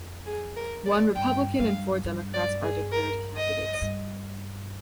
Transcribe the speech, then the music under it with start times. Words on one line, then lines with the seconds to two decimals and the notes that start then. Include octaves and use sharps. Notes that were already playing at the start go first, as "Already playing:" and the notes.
One Republican and four Democrats are declared candidates.
Already playing: F2
0.26 G#4
0.56 A#4
0.86 D5
1.15 G2 G5
1.59 G2 F5
2.04 G2
2.34 D5
2.63 G#4
2.92 A#4
3.37 D#5
3.81 G2